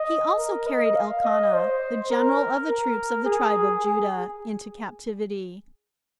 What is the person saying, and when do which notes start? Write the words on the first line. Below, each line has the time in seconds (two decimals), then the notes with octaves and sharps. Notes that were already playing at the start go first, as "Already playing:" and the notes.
He also carried Elkanah, the general of the troops of the tribe of Judah, into captivity.
Already playing: D#5
0.38 A#4
0.67 D#5
0.95 F5
1.24 D#5
1.53 C5
2.11 A#4
2.68 A#4
3.25 G#4
3.83 G#4